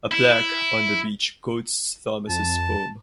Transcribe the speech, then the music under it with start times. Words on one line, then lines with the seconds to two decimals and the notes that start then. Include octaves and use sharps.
A plaque on the bench quotes Thomas's poem.
0.12 E4
2.29 F2 A5